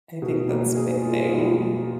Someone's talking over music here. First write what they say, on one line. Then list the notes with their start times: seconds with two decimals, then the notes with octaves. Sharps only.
I think that's a big thing.
0.22 B2
0.48 A#3
0.75 G#4
1.01 F4
1.28 B2
1.55 A#3